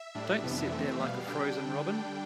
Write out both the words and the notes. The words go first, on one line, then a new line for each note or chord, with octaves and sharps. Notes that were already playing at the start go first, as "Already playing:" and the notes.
Don't sit there like a frozen robin.
Already playing: E5
A2 G3 D4
F2 C3 E3 B3 D4
F2 E3 A3 C4
B2 G3 B3 F5
D3 G3 D4 G5